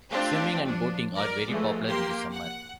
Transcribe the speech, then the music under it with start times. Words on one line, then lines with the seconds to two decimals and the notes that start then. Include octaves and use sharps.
Swimming and boating are very popular in the summer.
0.11 A3 C4 D4 F4 G4
0.67 F3 D4
1.18 A#4 D5
1.49 E3 F3 G#3 A3
1.88 A#3 G4 C6
2.34 F#5